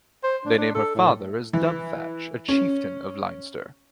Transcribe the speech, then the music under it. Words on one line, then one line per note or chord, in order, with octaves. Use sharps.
They name her father as Dubhthach, a chieftain of Leinster.
C5
D4
D4
A4
A2
E3
C#4